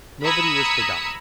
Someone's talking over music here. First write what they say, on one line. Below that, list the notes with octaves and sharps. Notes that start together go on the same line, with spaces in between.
Nobody was forgotten.
A#5 B5 D#6 E6 G#6 C#7